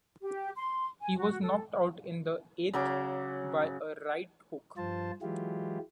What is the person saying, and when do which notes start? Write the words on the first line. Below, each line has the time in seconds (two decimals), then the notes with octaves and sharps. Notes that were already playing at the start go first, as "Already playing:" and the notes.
He was knocked out in the eighth by a right hook.
0.22 G4
0.56 C6
1.01 G#5
1.17 F#4
1.41 A4
2.73 C#3 F#3 D6
4.77 G2 F3 F4 C5 A5
5.22 E3 F#3 G#3 E4 F4 G4